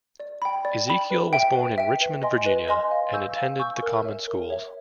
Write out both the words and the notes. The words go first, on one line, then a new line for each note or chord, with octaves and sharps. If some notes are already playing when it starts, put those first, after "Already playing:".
Ezekiel was born in Richmond, Virginia, and attended the common schools.
D5
G5 B5
D5
G5 B5
B4
E5 G5
B4
E5 G5
B4
D#5 G#5 C6
B4
D#5 G#5 C6
F5
G#5 C#6 E6 G6
F5
G#5 C#6 E6 G6
A#4
C#5 E5
A#4
C#5 E5